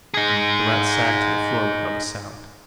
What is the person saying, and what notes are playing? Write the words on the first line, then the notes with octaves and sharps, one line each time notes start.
The Rat sagged to the floor without a sound.
D#4 G#4